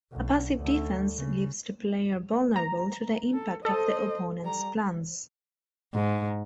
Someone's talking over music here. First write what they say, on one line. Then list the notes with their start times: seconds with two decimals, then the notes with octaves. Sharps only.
A passive defense leaves the player vulnerable to the impact of the opponent's plans.
0.12 B1
0.60 D2
1.17 C#3
2.56 A#5
3.34 A4
3.65 A4 C5 D#5
4.43 G3 A#5
5.94 G#2